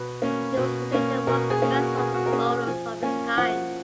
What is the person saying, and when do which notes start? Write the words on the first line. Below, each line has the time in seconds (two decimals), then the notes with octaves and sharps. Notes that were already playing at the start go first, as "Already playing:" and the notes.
He was considered one of the best Oxford bowlers of his time.
Already playing: B2 B4
0.22 A#3 C#4
0.57 B2
0.92 A#3 C#4
1.27 B2 A#4
1.50 G#4
1.62 A#3 C#4
1.74 F#4
1.97 B2 G#4
2.14 F#4
2.26 A#4
2.32 A#3 C#4 G#4
2.67 F3 G#5
3.03 A#3 C#4 G#5
3.37 F3 F#5